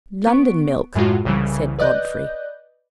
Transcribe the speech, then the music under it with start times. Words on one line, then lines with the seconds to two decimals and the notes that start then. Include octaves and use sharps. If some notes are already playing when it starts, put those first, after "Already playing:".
"London milk!" said Godfrey.
0.27 B3 C#6 D7
0.95 F#2 A2 G#3 F4 F#4
1.25 C2 C#3 E3 G3
1.79 B4 D5 D#5 F#6 G6